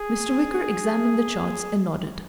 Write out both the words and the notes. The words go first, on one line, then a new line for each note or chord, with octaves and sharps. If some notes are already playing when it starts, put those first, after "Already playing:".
Mr. Wicker examined the charts and nodded.
Already playing: G#4